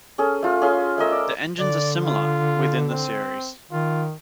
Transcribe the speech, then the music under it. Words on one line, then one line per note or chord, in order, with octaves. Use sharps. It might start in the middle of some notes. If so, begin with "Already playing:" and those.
The engines are similar, within the series.
C#4 G#4 A4
A3 F4
C#4 G#4 F5 C6
A3 A#4 D#5 E6
D5
D3 D5
F4
C4
D#3 F4